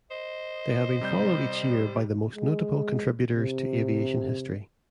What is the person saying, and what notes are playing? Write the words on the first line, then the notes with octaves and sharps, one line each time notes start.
They have been followed each year by the most notable contributors to aviation history.
C5 D#5
C3 G3 G6
G#3
C3